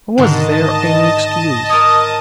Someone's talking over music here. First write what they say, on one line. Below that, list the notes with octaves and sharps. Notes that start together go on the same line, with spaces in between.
Was there any excuse?
G#2 D3 D#3 D#5 A5
A#4 C#5 D#6